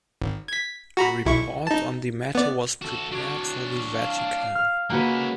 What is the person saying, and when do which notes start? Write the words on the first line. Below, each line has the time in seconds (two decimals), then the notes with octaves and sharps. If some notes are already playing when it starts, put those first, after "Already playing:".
A report on the matter was prepared for the Vatican.
0.21 G#1
0.48 G#6 B6
0.97 F#4 A#5 B5
1.25 B1 E4 C#6
1.67 D#4 A5
2.35 B3 D5
2.82 F#4 A4
3.12 D4 F#4 C#5
3.95 F5
4.55 F6
4.90 G#3 A#3 C#4 F#4 B4